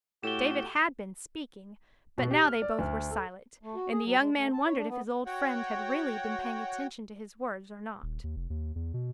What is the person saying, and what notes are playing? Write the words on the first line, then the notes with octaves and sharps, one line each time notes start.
David had been speaking, but now they both were silent, and the young man wondered if his old friend had really been paying attention to his words or not.
A2 F#4 G4 A4 E7 G7
B2
G4
F6
D5
D2
A4
A3
F#4
G#4
F#3
G#3
A3
A5
C#5
D4
B3
F#4 C#5 F#5 G5
D#1
D#2
F1
D#2
E2
B2